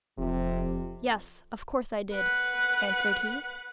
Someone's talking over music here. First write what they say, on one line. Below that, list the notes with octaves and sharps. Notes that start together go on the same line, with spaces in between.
'Yes, of course I did,' answered he.
E1 F2 C3
B4 F#5